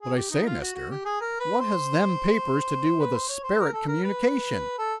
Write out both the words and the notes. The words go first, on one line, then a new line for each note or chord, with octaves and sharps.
"But I say Mister, what has them papers to do with a sperit communication?"
G#4
G4
D#4
F4
F#4
F#4
G4
G#4
A#4
B4
C5
B4
C5
C#5
C5
A#4
A4
A#4
B4
A4